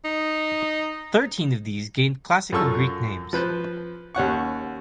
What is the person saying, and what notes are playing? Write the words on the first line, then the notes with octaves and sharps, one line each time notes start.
Thirteen of these gained classical Greek names.
D#4
F#2 F4 A4 C#6 E6
F3 B4 C5
D#2 C#4 F#5 C#6